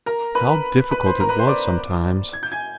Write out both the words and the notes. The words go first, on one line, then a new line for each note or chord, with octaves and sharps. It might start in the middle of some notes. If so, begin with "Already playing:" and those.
How difficult it was sometimes.
A#4 A#5
B4 B5
B4 B5
C5 C6
A#4 A#5
B4 B5
C5 C6
D5 D6
G#6
G6
G#5 G#6